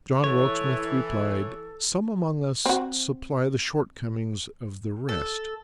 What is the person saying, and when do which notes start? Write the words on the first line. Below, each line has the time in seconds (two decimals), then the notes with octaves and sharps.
John Rokesmith replied, 'Some among us supply the short-comings of the rest.
0.24 E3 A4 C#5
2.66 C4 F#4
5.09 A4